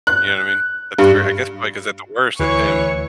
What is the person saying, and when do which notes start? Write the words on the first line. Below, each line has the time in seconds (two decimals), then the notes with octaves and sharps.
you know what I mean, at the very I guess probably 'cause at the worst it's him
0.07 F#6
0.99 G2
2.39 D2 E3 C#5 C#6